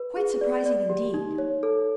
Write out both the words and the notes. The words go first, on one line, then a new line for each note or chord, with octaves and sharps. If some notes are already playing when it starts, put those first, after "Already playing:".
Quite surprising indeed!
Already playing: B4
G#4
D5
D5
G4
D#4
C#5
A4